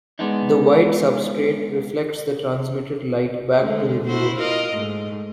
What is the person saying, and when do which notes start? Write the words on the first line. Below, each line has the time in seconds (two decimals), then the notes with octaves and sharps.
The white substrate reflects the transmitted light back to the viewer.
0.19 G#3 B3 D4 D#4
3.57 D3 G#3 A3
4.06 E4 F#4 C5
4.37 F4 A#4 D#5
4.74 G#2 A3